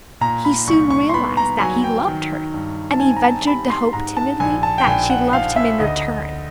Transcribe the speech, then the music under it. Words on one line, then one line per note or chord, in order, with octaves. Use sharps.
He soon realized that he loved her, and he ventured to hope timidly that she loved him in return.
A#2 A#5
B5
C2 C#6
C#6
C6
B3 B5
A#5
F#3 G#5
G5
D#3
G2
A5
C4 G#5
A#5
A5
G3 B5
C6
G#2 A#5
A5
A#1 G#5
A5
G5
A#1 G#5
F#5
F3 F5
E5
D2 D#5